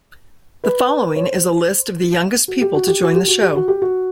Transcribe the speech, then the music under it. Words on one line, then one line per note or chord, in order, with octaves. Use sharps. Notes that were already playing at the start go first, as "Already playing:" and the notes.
The following is a list of the youngest people to join the show.
B4
C#5
C5
F#4
G4
F#4
G4
F#4
G4
F#4
G4
F#4
G4
F#4